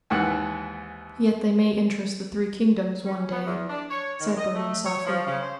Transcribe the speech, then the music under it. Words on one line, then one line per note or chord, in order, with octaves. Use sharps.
"Yet they may interest the three kingdoms one day," said Berwin softly.
D#2 G#2 E3 F#5
C#4
B3
E2
D4
C#5
D#3
D#5
A3
C#5
F3
C#3
C5